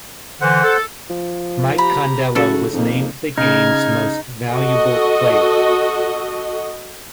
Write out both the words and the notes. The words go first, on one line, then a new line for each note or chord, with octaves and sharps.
Mike Condello was named the game's Most Valuable Player.
D3 E3 C5 F#5
A4
F3
G4 A#5 B5
F#2 C#3 F#4 A4
F2 A#3 D#4
C#3 D#4 F6 G#6
F#4 A4 D#5